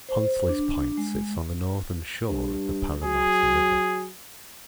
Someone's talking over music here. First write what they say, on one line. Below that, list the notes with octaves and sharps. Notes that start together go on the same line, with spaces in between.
Huntleys Point sits on the northern shore of the Parramatta River.
C5
D4
G#3
G2
F#3 G#4